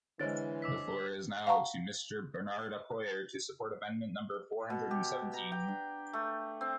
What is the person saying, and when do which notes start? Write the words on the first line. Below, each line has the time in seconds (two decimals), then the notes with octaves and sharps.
The floor is now to Mister Bernard Accoyer to support amendment number four-hundred-and-seventeen.
0.19 D3 E3 G#3 C5 C#5 A6
0.62 D6 E6 B6
1.47 F5 F#5 A5 A#5 C#6
4.70 B2
4.91 G4
5.33 A#5
5.52 G5
5.68 D4
6.13 A3
6.61 C4